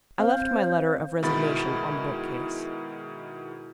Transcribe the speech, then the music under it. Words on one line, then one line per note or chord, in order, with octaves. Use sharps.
I left my letter of resignation on the bookcase.
C4 C5 F5
B2 D#3 G#3 E4 B5 A6